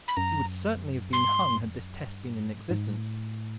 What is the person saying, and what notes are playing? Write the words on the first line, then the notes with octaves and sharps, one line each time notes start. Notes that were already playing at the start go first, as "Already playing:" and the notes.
He would certainly have been hung had this test been in existence.
B5
F#2 A#5
G2 C6
G#2
G2
F2
F#2
G2
G#2
G#2
A2